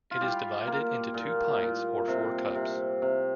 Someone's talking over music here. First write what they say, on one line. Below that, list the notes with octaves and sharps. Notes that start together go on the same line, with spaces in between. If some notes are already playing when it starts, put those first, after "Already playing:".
It is divided into two pints or four cups.
F4
G3 G4
A#3
A#2
A#2
C3
C3
C3